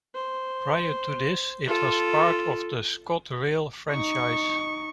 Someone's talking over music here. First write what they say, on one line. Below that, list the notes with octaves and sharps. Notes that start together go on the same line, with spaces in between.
Prior to this it was part of the ScotRail franchise.
C5
F4 A4
D#4 C#6